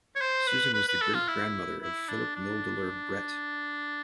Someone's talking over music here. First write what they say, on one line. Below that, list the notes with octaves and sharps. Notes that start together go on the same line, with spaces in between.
Susan was the great-grandmother of Philip Milledoler Brett.
C#5
C5
B4
B4
B4
A4
F4
E4
E4
D4
D4